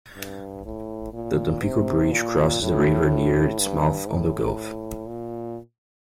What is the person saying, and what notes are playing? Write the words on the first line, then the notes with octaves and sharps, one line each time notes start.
The Tampico Bridge crosses the river near its mouth on the Gulf.
G2
A2
A#2
C3
A#2
A2
G2
A2
A#2